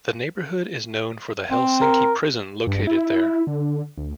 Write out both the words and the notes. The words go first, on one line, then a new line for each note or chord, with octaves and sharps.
The neighbourhood is known for the Helsinki Prison located there.
C4
A#4
G2
E4
D3
D2